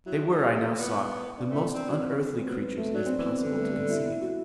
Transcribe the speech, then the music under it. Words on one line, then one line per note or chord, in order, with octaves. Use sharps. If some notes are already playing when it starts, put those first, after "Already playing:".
They were, I now saw, the most unearthly creatures it is possible to conceive.
F#3 E4
G3
A3
B3
D4
A3 C4
C4 D4
F#3 D4
E3 C4
E3
D3
C4
F#3 B3
B3
A3
F#3 D4
C4
E3 B3
C4
D3 B3
G3
A3
G3
E4
E4
F#4